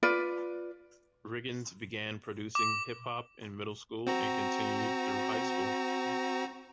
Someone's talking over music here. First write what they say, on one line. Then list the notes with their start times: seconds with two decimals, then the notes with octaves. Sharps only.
Riggins began producing hip hop in middle school and continued through high school.
0.03 F4 B4 D5
2.55 D6
4.07 C4 F#4 A#5